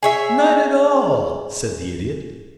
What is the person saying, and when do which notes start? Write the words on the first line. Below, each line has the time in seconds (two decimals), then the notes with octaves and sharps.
"Not at all," said the Idiot.
0.03 G#4 C#5 E5